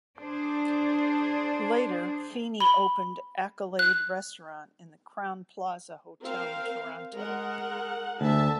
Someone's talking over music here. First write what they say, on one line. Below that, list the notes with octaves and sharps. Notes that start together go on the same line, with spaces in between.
Later, Feenie opened Accolade Restaurant in the Crowne Plaza Hotel in Toronto.
D4 G#4 C5
B5 G7
F#6
C4 A#4 F5
G#3 A#4 F#5
D2 E5 A5